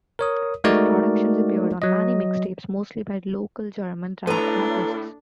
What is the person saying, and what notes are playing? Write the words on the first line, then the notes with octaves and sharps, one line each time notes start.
His productions appeared on many mixtapes, mostly by local German rap artists.
A#4 C#5 D#6
G#3 A3 D#4 F#4 A#4 D5
F#3 D#5
A2 D4 A4 B4 A#5